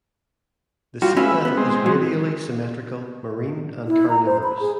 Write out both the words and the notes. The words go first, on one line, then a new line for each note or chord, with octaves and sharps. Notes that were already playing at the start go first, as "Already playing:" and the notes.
The sea nettle is radially symmetrical, marine, and carnivorous.
G3 F4 F#4
C#4 F4 G#4 B4 E5
B3
G#3 C4
F#3
E4
A#5
C5
B5
G#4